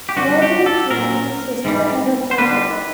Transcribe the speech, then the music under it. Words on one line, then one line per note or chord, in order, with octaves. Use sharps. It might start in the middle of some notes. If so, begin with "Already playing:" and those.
Ryo begins living with his sister and her caretaker.
G4
G2 D3 F3 F#4
G4
A4
A#2 A#4
F#3
G#2 E3 G3
C5
D3 G3 B4